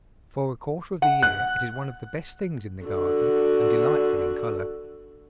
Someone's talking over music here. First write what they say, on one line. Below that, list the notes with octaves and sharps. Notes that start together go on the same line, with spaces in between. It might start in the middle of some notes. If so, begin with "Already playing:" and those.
For a quarter of the year it is one of the best things in the garden, and delightful in colour.
F#5
F#6
D3 F#4